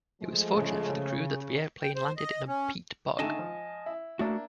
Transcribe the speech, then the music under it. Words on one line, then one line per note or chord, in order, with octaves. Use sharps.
It was fortunate for the crew that the airplane landed in a peat bog.
F3 G#3 A3
C#3
G5
C5
D#5
C#4
D3 D#3 A3 D#5 G#5 A5
F3
E4
A3 A#3 D4 E4 F#4